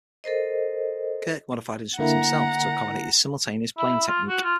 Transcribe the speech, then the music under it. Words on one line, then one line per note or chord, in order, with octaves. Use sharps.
Kirk modified instruments himself to accommodate his simultaneous playing technique.
A4 A#4 C5 D#5
D3 A#3 E4 F#5 A#5
E4
F4
F#4
F4